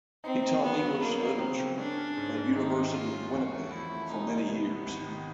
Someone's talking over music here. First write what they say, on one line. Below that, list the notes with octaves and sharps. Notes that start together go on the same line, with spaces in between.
He taught English literature at University of Winnipeg for many years.
C4 D#4
D#4
F#3 B3
F#3
A#3 B3
D#4
C#3 C4
C#3
C#4 D4
C#4
G#2
G#2
D#3 D#4
G#2
C#4 F4
C#4
E2 F#4
A3
F3 E4
A3
C3 D#4
C3
C3 B3
C3
G#1
D#3